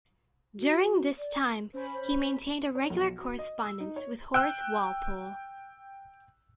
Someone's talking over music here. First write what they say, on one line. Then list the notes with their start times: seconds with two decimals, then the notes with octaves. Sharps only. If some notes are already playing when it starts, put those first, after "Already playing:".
During this time, he maintained a regular correspondence with Horace Walpole.
0.59 F#4
1.19 D5
1.74 C#4 C5 B5
1.93 C5
2.75 C#5
2.90 B1
3.19 F#4
3.39 D#5
3.65 E6
3.80 D#4
3.96 C#5
4.34 G5 E6 F#6